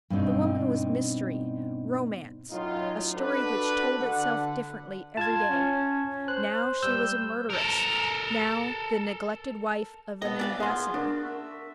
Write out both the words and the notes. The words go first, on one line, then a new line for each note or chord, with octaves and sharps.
The woman was mystery, romance, a story which told itself differently every day; now she was a murderess, now the neglected wife of an ambassador.
G2 B2 C4 D#4
F#2 A2 F#3 D#4 F4
D4 F#4 A4 B4
D3 D4 F#5
F4 A5 G#6
C#4
C5 F#6
G3 E6 G6
A4 A#4
B3 A4 D#5
B4 D5 E5 F5 G#5
B3 F4 G#4 C6
D4 F#4 A#4
E5